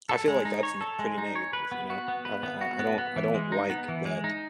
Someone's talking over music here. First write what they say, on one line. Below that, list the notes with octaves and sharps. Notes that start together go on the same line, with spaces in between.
I feel like that's n pretty negative, you know? I I I don't I don't like that
A4
G#3
D#4
C#5
A4
G#3
D#4
C#5
B4
B3
F#4
B3
B4
B3
F#4
B3
B3
E3
G#3
D#4
B3
E3
G#3
D#4